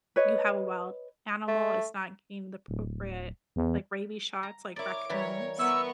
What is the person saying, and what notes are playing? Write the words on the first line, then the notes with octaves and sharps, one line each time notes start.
you have a wild animal, it's not getting the appropriate, like rabies shots, like raccoons
B4 C#5 D#5
A3
D1
E2
A#5
E4 A#4 C#5 D5 D6
E3 G3 A#4 B4 C#5
B3 E4 A#4 C#6 E6